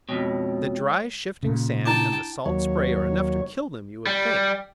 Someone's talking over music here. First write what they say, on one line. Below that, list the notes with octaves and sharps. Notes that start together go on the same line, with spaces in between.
The dry, shifting sand, and the salt spray, are enough to kill them, you would think.
F2 B2 G#3 C#5 G5
A#2 C#3
D4 E4 G5 A5 D6
D#2 F#3 C#5
G3